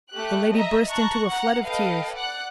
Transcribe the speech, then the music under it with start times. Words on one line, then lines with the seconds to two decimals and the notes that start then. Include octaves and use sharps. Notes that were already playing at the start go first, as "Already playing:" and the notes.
The lady burst into a flood of tears.
0.12 A3 G4 F#6
0.53 D#5 E5 A#5
0.89 A5 A#5 C#6 F#6
1.28 F#5 A#5
1.64 A4 B4 D#5 F5 G5
2.14 D5 F#5 F#6